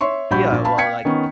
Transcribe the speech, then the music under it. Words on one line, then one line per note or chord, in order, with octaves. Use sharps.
Yeah. Well, like
C#5 E5 C6 C#6
A#1 G3 F#4 B5 G6
A#1
F5 A5 B5
F5 G5 G#6 B6 C#7
D#3 B3 C#4